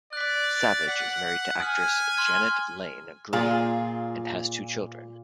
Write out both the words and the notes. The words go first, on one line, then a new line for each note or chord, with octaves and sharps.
Savage is married to actress Janet-Laine Green, and has two children.
D5 F#6 B6
F#5 B6 F#7
G#5 D#6 F6
C6 F6 G#6
A#2 F4 G#4